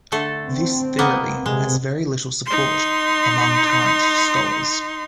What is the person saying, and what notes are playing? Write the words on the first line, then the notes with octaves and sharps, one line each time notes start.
This theory has very little support among current scholars.
D3 A3 A4
C4
A#3 B3 D#5
C3 G#3
D#4 C6